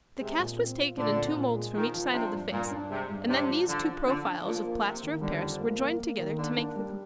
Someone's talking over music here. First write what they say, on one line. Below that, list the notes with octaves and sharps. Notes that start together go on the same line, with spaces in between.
The cast was taken in two moulds from each side of the face, and then these two profiles of plaster of Paris were joined together to make the complete bust.
C3 G#3
A#2
C4
F4
A#2 D3
C4
A#2
G#3
D#3 F3
F3
C3 D4
G2
G2 A#2
D4
C3 G#3
G2
C3 D4
F3
D3 F3
F3
D3 D4
D4
A#2 F3
A#3
C3 A#3
D#3
D3 G3
F2
A#3
A#3
A#3
D#3
D3 A#3
D4
G3